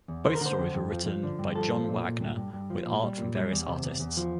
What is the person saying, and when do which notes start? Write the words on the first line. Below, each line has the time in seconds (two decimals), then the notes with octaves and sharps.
Both stories were written by John Wagner with art from various artists.
0.08 E2
0.25 D3 C5
0.35 A#4
0.41 D3
0.46 C5
0.58 F2
0.74 F2
0.90 F3
1.06 F3
1.23 D3
1.39 G2
1.55 F3 A4
1.72 F3
1.88 A#2
2.04 A#2
2.21 G2
2.37 G2
2.53 G2
2.70 F3
2.86 A#2
3.03 G3
3.18 A#2
3.35 G3
3.52 E2
3.68 C3
3.84 E2
4.00 E2
4.17 F3